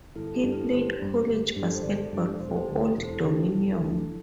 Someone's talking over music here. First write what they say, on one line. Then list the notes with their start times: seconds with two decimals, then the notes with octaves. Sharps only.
He played college basketball for Old Dominion.
0.16 G1 E4 A4
0.27 A4
0.34 G4
0.43 G2 G3 D4
0.52 E4 A4
0.71 G1 G4 C5
0.99 G2 G3 D4
1.28 G1
1.56 G2 G3 D4 G4
1.68 A4
1.75 C5
1.83 G1 A4 D5
2.12 G2 G3 D4
2.40 E1 C5
2.49 A4
2.57 G4 C5
2.69 D2 D3
2.96 E1 A4
3.03 C5
3.10 E4 A4
3.24 D2 D3 G4
3.43 G4
3.52 E1 E4 A4
3.81 D2 D3